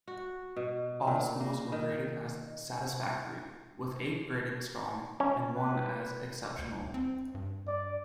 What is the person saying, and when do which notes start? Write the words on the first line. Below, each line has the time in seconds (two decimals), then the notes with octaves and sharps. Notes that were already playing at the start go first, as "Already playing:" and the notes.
All schools were graded as "satisfactory", with eight graded "strong" and one as "exceptional".
0.07 F#4
0.56 B2
1.07 A#2
1.40 A#3
1.72 D#3
5.20 C#4
5.55 B4
6.59 D2
6.94 C4
7.35 G2
7.67 D5